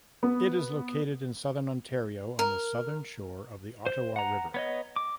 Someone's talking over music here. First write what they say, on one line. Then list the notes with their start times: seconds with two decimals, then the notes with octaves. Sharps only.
It is located in Southern Ontario on the southern shore of the Ottawa River.
0.23 B3
2.39 A#4
3.86 C5
4.16 F#5 A#5
4.54 B3 C#5 D#5
4.96 D6